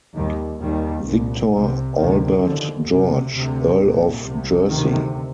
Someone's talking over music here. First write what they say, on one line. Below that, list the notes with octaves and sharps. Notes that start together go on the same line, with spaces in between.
Victor Albert George, Earl of Jersey.
D#2 D#3 G3
D#2 D#3 G3
C2 A#2
C2 C3
D2 C3 D#3
D#2 D3 F3
D2 C3
D2 C3
C2 A#2
C2 C3
D2 C3 D#3